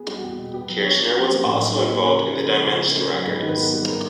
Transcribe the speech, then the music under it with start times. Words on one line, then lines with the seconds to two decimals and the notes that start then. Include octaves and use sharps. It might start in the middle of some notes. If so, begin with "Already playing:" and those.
Kirshner was also involved in Dimension Records.
Already playing: B3 G#4
0.08 G3
0.16 F#4
0.23 E2 G4
0.38 B2
0.54 B3 G4
0.69 F#3
0.84 D3 C#5
0.99 F3
1.15 C#4 C5
1.29 A#3
1.45 A2
1.60 F#3
1.75 D#4
1.90 A#3
2.05 C#3 B4
2.21 F3
2.36 C#3 A#4
2.52 G#3
2.66 C#2
2.82 C#3
2.97 A3 A#4
3.12 F#3
3.27 G#2 B4
3.43 D#3
3.48 B4
3.57 B3 A#4
3.73 G3
3.87 A#4